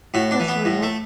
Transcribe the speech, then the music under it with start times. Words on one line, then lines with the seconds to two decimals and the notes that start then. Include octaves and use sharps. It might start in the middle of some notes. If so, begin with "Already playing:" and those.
that's real.
0.14 A2 F#4
0.31 D4
0.40 E3
0.48 B3
0.65 A2
0.83 A3